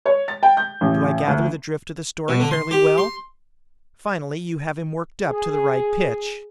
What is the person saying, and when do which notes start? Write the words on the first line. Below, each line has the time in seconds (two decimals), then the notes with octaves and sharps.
Do I gather the drift of the story fairly well? Finally you have him worked up to the right pitch.
0.06 C#5
0.28 A6
0.43 G5
0.57 G6
0.81 A1
1.27 D2
2.28 B2
2.40 D3
2.51 C6
2.71 G4
2.98 C6
5.26 G#4